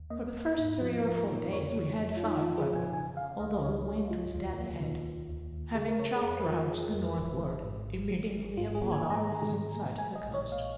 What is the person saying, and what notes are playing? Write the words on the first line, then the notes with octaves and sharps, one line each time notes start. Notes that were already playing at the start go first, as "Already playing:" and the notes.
For the first three or four days we had fine weather, although the wind was dead ahead; having chopped round to the northward, immediately upon our losing sight of the coast.
Already playing: D#2
A#3 D#5
A#3
G#2 D#4
F3 F4
A#4
F3
A#4
A#3
F2 C#5
F3
F2
F4
F2 D#4
F4
F3
G#4
F3
G#5
C#3 G#5
C#3 F5
C#2 D#5
D#5
C#2 C#5
G#3
C#2 F4
D#2
A#3
D#3
D#3
D#2
D#2
C#3 G#4
A#4
C#3 C#5
G#4
F2 A#4
F2 F4
F2
F2
G#1
G#3
G#2
G#1
G#1
G#3
G#2 F4
G#4
A#3
G#5
G#2
A#5
D#3
G#2
A#3
G#3 G#5
D#5
A#1
C#5
A#2
F5